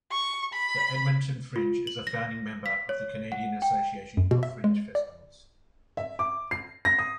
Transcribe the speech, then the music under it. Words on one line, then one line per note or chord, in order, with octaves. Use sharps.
The Edmonton Fringe is a founding member of the Canadian Association of Fringe Festivals.
C#6
B5
F4
F#7
A#6
B6
C#5
F#5
G5
F#2
B2
E5
G#3
D5
E5
D6
C7
A#6
D#6